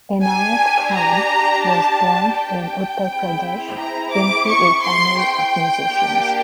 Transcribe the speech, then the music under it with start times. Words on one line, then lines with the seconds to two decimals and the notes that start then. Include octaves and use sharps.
Enayat Khan was born in Uttar Pradesh into a family of musicians.
0.23 D4 G4 G#5
0.94 A#5
1.65 A5
2.35 G5
3.06 C4 E4 G#4
3.77 A#5
4.13 D6
4.47 C#6
4.83 C6
5.19 G5
5.89 A#3 D4 G4